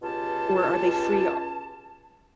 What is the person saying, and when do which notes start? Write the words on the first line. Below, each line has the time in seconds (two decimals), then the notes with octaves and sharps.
or are they free e
0.02 C#2 B2 C#4 F4 G4 A5